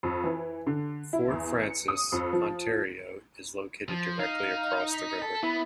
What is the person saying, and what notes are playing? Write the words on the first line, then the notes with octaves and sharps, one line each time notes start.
Fort Frances, Ontario is located directly across the river.
F2
E3
D3
E4
E2
C#7
D#6
F2
F3
F3
D#4 F5
B6
A4
B3 E4